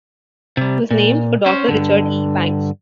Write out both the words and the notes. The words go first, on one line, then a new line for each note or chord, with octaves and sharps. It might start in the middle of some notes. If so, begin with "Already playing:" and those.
It was named for Doctor Richard E. Banks.
C3 G3
A#2
C#4 C5
G2 D3